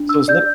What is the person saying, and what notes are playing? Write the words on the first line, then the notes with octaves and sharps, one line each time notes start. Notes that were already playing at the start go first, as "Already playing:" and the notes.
So, it was lit
Already playing: D4
E6
D5 G6